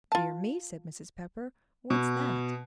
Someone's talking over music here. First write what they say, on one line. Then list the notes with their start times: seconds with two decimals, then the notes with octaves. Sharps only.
"Dear me!" said Mrs. Pepper, "what's that?"
0.12 F4 A5
1.90 B2